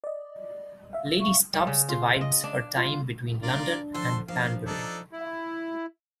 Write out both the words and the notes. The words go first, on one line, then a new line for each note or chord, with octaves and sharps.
Lady Stubbs divides her time between London and Banbury.
D5 D#5
E5 F5
C#6
G3
C#3
F4
D#5
D4
F4
D4 F4 A#4 D5
D3 F3 A4 C6
G2 F3 A#3 F5
D4 D#4 A4
E4